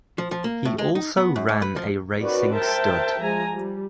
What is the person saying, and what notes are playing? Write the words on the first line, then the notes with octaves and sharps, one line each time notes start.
He also ran a racing stud.
F3
F3
A#3
A2
G#3
D#4
B3
F#2
G#2
B4
F3
D#3 C#4 F#4 B4 D5
A#4 C5 E5 G5 A5
F3 G#3 G#5 A#5
G3